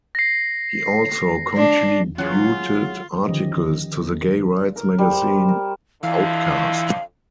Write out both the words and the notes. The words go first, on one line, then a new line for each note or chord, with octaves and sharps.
He also contributed articles to the gay rights magazine "Outcast".
A#6 C7
D4
E3 F#3 C#4 F4 F#4 G#4
D3 D#3 F3 C#4 G4 D#5
A#4
G3
C5
A#4
F2 D3 E3 F5